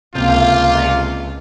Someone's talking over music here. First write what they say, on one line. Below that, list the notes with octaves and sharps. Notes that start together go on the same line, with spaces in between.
of like
C#2 C3 A#3 F4